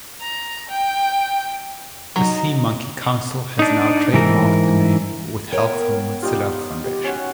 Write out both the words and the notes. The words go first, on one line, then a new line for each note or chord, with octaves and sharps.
The SeaMonkey Council has now trademarked the name with help from the Mozilla Foundation.
A#5
G5
F#3 D#4
D4 D#4
G#2 E3 A#4
B3 A#4 C#5 G5
G3 D#4 F4 G4
G4
C#4 F#4